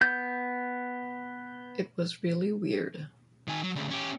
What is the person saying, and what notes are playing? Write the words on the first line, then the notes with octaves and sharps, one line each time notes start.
It was really weird.
B3 G6
D#3 G#5
F#3
D2 C#3
C#4 G4